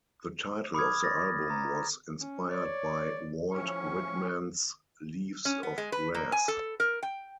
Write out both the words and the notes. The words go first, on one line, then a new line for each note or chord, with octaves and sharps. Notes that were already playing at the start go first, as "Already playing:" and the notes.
The title of the album was inspired by Walt Whitman's "Leaves of Grass".
B5 D6 D#6 F6 G#6
A6 A#6
A#5
C#4
C#5 D5
A2 F3 C#4 C#6
C#4
B3
G#3
B4
A#3
G#5
A4
A#4
G5